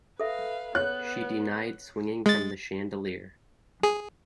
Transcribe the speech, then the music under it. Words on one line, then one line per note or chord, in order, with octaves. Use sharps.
She denied swinging from the chandelier.
A4 B4 E5 F5
B3 C#5 F#6
G#3 A6
G#4